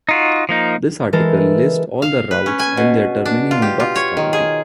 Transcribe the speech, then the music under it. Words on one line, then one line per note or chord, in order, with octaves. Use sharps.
This article lists all the routes and their termini in Bucks County.
D#4 F4 F#4
F3 A#3 D#4
E3 G#3 A4 A#4
F5
B4
C#4
G#5
B2
D4
F4
G4
F4
C#5
D#3
G#4